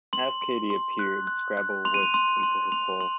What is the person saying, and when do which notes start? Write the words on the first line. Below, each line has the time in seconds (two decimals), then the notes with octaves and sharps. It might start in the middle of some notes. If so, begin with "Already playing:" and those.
As Katie appeared, Scrabble whisked into his hole.
0.13 C6 F#7
0.41 C6
0.70 C6
0.99 F#6
1.27 F#6
1.57 F#6
1.85 C6 F7
1.94 D#7
2.03 F7
2.14 C6
2.43 C6
2.72 C6 F7
3.00 C6